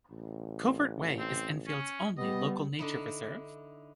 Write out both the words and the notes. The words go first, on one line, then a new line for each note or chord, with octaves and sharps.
Covert Way is Enfield's only Local Nature Reserve.
A1
C4
C#4
G3 B3 D#5
D3 D#4 E4